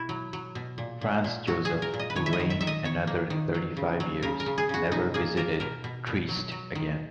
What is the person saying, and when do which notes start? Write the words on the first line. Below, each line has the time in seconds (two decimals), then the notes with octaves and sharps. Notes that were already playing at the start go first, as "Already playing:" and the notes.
Franz Joseph, who reigned another thirty-five years, never visited Trieste again.
Already playing: B2 E4 F#4
0.09 F#3
0.33 F#3
0.55 B2
0.78 A#2
1.01 A#2
1.24 A#2
1.47 F#3 F#4
1.65 G#4
1.70 A#2
1.82 A#4
1.94 A#2
1.99 D#5
2.10 B4
2.16 D#3 C#5
2.26 E5
2.33 D#5
2.40 D#3
2.50 E5
2.61 D#3 E5
2.67 D#5
2.85 D#3 C#5
3.07 A#3
3.30 D#3
3.54 F#3
3.77 C#3
4.00 F#3
4.23 C#3 A#4
4.40 A#4
4.46 C#3
4.58 G#4
4.69 C#3 F#4
4.92 B2 D#4
5.14 A#3 G#4
5.37 A#3 A#4
5.60 B2 A#4
5.84 B2
6.07 B2
6.29 F#3
6.52 F#3
6.75 D#3